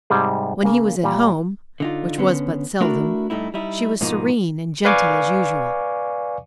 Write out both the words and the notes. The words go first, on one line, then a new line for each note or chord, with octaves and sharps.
When he was at home, which was but seldom, she was serene and gentle as usual.
G#2 C3 G3 G#4
C#3 A#3
A#2 G3
D3 D#4 F4
D3 B3 C#4
A3 D4 E4 F#4 A#4
G2 A3 D#4 E4
G3 D#4 E4
G#2 B2 F3 A#3 D#4
B4 D5 F5 G#5 C#6 D6